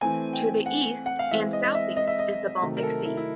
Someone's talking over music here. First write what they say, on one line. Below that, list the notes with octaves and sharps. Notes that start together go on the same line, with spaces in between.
To the east and southeast is the Baltic Sea.
E3 A3 C4 G#5
G5
F#5
F#5
F5
E3 G#3 C4 E5
D#5
D#5
E5
D#5
E5
D#5
C3 D#3 F#3 A3
A#4
A4
E4
E4